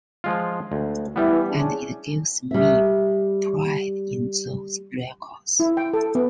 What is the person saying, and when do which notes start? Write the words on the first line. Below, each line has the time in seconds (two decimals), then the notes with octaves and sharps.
And it gives me pride in those records.
0.24 F3 G#3 F4
0.72 D2
1.16 E3 G3 B3
1.49 C#4 D4 G#4
2.51 G3 E5
5.60 E4
5.77 G5
5.94 A4
6.15 B3